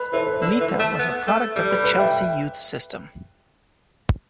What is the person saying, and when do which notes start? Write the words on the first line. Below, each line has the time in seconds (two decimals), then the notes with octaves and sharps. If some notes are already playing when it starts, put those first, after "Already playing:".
Lita was a product of the Chelsea youth system.
Already playing: B4
0.13 E3 A4 C5
0.27 B4
0.41 D3
0.60 E3
0.79 A3
0.99 B3
1.27 A3
1.56 G3 A4
1.71 B4
1.84 B4
1.98 E5 G5